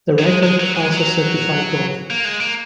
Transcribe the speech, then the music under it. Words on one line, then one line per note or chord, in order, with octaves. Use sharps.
The record also certified gold.
F#3
G#3
G#3
F#3
G#3
F#3
A#3
G#3
A#3